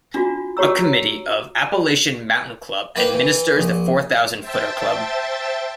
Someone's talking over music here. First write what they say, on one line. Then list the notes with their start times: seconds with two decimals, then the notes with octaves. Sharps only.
A committee of Appalachian Mountain Club administers the Four Thousand Footer Club.
0.14 D4 F4 F#4
0.57 F#4 G4 C#5 A#5 E6
2.96 A#3 B4 C5 G5 D6
3.13 E3
3.56 A#1
4.40 C5 E5 G5 A5 A6